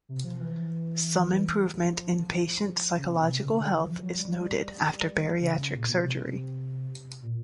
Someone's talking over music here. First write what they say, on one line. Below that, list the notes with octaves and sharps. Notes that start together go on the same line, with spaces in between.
Some improvement in patient psychological health is noted after bariatric surgery.
C3
F3
E3
E3
F3
C#3
B2
C3
C#3
D3
E3
F3
F#3
G3
F#3
G3
C#3
A#2
B2
C3
A#2